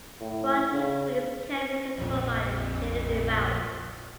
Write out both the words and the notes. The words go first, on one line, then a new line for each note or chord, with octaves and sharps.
Broadleaf weeds can be controlled by shading them out.
A2
C#3
A#1 F2 A#2